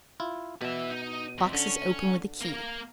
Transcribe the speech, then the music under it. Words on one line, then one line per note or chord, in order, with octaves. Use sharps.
Boxes open with a key.
E4 F4
B2 B4 E5
D#4
F2
D3 C#4
A#3 A#4